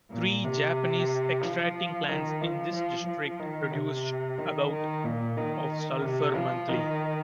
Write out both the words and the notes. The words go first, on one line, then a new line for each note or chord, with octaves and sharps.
Three Japanese extracting plants in this district produced about of sulfur monthly.
A#2
C3
F3
D#3
F3
F3
F3
D#3
C3
D#3
D#3
A#2
D#3
C3
F3
D#3